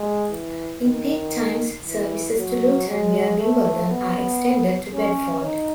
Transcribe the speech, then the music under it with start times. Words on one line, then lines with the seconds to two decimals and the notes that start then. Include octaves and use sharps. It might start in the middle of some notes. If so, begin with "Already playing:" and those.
In peak times services to Luton via Wimbledon are extended to Bedford.
Already playing: G#3
0.32 E3
0.82 D#3
1.85 E3
2.37 F#3
2.88 G#3
3.38 A3
3.89 B3
4.92 C#4
5.43 D#4